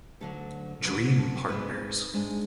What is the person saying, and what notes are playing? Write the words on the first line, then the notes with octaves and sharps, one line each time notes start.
Dream Partners.
D2 D3 F#3 A4
D2 D3 F#3 B4
A4
G#2 G#3 D4 B4
G#2 G#3 D4